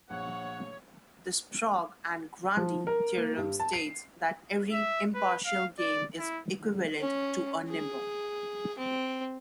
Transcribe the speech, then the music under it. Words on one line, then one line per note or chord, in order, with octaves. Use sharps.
The Sprague-Grundy theorem states that every impartial game is equivalent to a nimber.
A#1 C#5 F#5
F3
A#4
A#3
G2
A5
C7
E5
B4
F5
D5
E4
C#4
G#4
C4